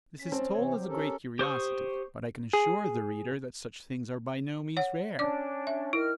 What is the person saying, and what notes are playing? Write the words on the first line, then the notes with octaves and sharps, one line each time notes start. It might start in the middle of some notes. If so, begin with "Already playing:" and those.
This is told as a great curiosity; but I can assure the reader that such things are by no means rare.
C#4 B6
C4 A5
C3 E3 C#5
F#3 G3 G4
C#4 A4 A#4
G4 C5 C#6 D#6
G#4
C#5 F#5
C#4 D4 D5 D6
E5
D#3 E4 A#4 F6